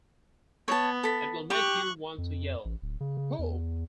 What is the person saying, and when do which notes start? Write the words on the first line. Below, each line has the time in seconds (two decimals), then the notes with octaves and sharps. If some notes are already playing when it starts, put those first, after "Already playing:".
It'll make you want to yell 'Woooh!
0.68 B3 C#5 A5
1.03 A4 B5
1.50 G4 C#6 F#6
2.18 F2
2.65 A1
2.82 D1
3.00 C#3
3.17 C#3
3.39 E2